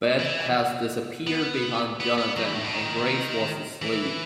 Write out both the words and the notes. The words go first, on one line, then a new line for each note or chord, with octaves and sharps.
Beth had disappeared behind Jonathon, and Grace was asleep.
E3
B3
B3
B3
F#3
E3
A2
B2
D#3
E3